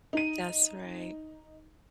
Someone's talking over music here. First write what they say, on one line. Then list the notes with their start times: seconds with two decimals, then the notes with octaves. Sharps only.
That's right.
0.13 D#4 D#7